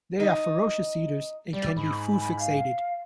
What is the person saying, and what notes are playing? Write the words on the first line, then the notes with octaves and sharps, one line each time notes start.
They are ferocious eaters and can be food fixated.
D#4
G3 D5
G#2 B5
F5